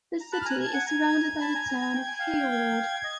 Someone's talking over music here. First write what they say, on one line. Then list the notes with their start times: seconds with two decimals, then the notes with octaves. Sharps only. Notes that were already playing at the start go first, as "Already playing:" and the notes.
The city is surrounded by the Town of Hayward.
0.21 A#5
0.32 A5 B5 F#6
0.41 F6
0.45 G#5 A#5 F#6
0.60 G#6
0.66 A5
0.72 F#5 G#5
0.87 G#5 A#5 G#6
1.41 A5 B5
1.55 G#5 A#5
1.69 G#5 A#5
1.82 G#5 A#5
1.95 G5
2.07 G#5
2.19 F5 G5
2.50 G#6
3.04 D#5